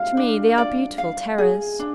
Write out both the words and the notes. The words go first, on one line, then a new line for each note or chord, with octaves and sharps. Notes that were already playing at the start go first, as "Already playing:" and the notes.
To me they are beautiful terrors.
Already playing: F5
D4
D5
F5
G#4
D4